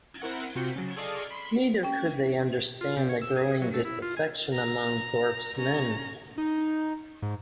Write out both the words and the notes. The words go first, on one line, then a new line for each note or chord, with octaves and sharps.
Neither could they understand the growing disaffection among Thorpe's men.
C4 E4 A#4 F#5
C3 C4 F4 F#4 G6 C#7
C#3 F#3
G#4 A4 D5 D#5 F5
B5 C6
C#4 G5
F4
C3
C#5
E6
G#4
F#3
A3
E4
F4
G#5
A#5
C#4 A#5
D#4
G#2